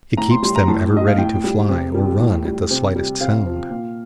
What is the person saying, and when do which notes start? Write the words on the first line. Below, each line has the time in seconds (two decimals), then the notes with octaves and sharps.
It keeps them ever ready to fly or run at the slightest sound.
0.17 A2 A#5
0.30 C6
0.43 G3 C6
0.56 A#5
0.68 A2 A5
0.93 G3 D#5
1.08 F5
1.18 A2 G5
1.44 G3
1.69 C3
1.94 G3
2.20 A2
2.45 G3
2.71 C3
2.96 G3
3.21 C3 F5
3.46 F3
3.70 A#2